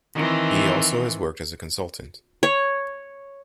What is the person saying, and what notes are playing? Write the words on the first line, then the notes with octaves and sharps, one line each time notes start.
He also has worked as a consultant.
D#3 E3 C4
C#5